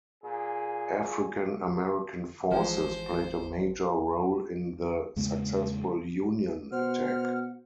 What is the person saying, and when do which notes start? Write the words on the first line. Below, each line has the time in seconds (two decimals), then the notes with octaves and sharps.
African-American forces played a major role in the successful Union attack.
0.24 A#2 G#4
2.51 G#1 E3 F3 G#3 C5
5.16 E2 C#3 G#3 A#3
6.72 B2 C5 F#5 F6